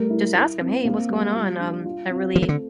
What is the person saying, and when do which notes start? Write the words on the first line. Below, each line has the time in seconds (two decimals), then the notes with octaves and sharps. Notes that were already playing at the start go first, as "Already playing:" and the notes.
just ask him, "Hey, what's going on? Um, I really
Already playing: G3 A3 A#4
0.10 E4
0.34 E4
0.61 C4
0.85 A#3
1.09 G3
1.36 F4
1.60 D4
1.86 F4
2.10 C4
2.36 F3 A3
2.42 E3
2.49 D3